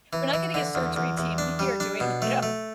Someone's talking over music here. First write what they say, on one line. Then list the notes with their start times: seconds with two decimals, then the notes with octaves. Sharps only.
We're not getting a surgery team in here doing you know
0.13 E3
0.34 E3
0.54 D3
0.75 E2
0.96 E2
1.18 E2
1.38 D4
1.59 G3
1.80 D4
2.00 B2
2.22 A3
2.43 A3